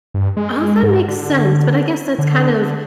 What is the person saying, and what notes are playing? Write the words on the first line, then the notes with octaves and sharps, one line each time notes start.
All that makes sense, but I guess that's kind of,
G2
G#3
G#2
D3
D3